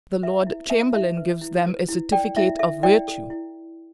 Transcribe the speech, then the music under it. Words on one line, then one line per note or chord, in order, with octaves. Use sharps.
The Lord Chamberlain gives them a certificate of virtue.
B4 E5
E4
B4 E5 A5
E4 E5 A5
B4
E4
B4
E4
A4 D5 G5
E4 E5
A4 E5
E4 D5 G5
A4
E4